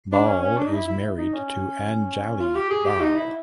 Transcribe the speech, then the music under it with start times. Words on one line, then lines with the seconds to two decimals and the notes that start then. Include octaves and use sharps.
Bahl is married to Anjali Bahl.
0.12 D4
0.27 C#4
0.42 C#4
0.57 D4
0.66 D#4
0.73 E4
0.87 E4
1.18 D#4
1.33 C#4
2.39 F4
2.55 G4
2.70 G#4
2.85 G4
3.00 D#4
3.15 E4